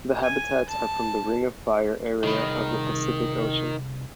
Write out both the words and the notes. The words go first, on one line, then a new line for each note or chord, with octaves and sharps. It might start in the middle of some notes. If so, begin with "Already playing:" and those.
The habitats are from the Ring of Fire area of the Pacific Ocean.
G#5
A5
C2 D#3 G#4 B5